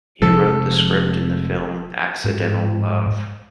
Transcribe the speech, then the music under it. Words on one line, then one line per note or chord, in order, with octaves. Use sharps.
He wrote the script in the film "Accidental Love".
F1 F3 G#3 A4
G#2